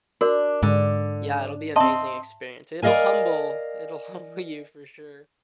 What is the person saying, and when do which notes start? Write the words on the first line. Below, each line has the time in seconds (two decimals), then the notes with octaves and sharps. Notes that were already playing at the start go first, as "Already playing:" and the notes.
yeah, it'll be amazing experience. It'll humble it'll humble you for sure.
0.21 D4 F#4 A#4 D5
0.63 G#2 D3
1.76 C4 D#5 E5 A5 C6
2.82 A#4 D5 D#5 F5 G#5